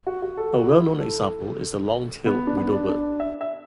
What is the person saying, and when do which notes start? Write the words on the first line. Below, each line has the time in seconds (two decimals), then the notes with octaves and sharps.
A well-known example is the long-tailed widowbird.
0.07 F#4
0.22 F#4
0.37 A4
0.54 F#4
0.69 E4
1.00 A4
2.26 B3
2.47 D4
2.57 B3
2.73 D4
2.89 D4
3.20 E5
3.41 E5